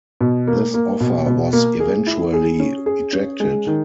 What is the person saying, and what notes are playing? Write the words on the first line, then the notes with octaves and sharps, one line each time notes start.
This offer was eventually rejected.
B2
A#3
A#3
B2
B2
A#3
G#4
E4
G#4
C#4
G#4
C#4
G#3
D#3